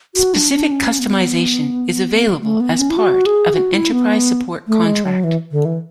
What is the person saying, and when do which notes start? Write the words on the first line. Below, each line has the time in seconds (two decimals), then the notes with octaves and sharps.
Specific customization is available as part of an enterprise support contract.
0.15 F#4
0.34 D4
0.53 D4
0.71 C#4
0.99 B3
2.42 A3
2.60 B3
2.79 C#4
2.90 E4
2.97 F#4
3.26 G#4
3.54 F#4
3.73 E4
3.92 B3
4.67 A3
4.85 G#3
5.04 F#3
5.24 E3
5.51 D3
5.65 E3